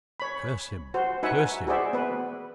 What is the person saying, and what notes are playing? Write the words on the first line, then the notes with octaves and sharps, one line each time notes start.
Curse him! Curse him!
C#5 B5
F#4 C5
D#4 F#4 B4 E5 F#5 G#5
F#4 G#4 C5 D5 E5
B3 B4